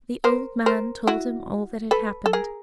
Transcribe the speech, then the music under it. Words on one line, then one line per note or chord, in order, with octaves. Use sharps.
The old man told him all that had happened.
A#4 C5
A#4 C5
E4 F#4
A4 B4
A4
G#4 A#4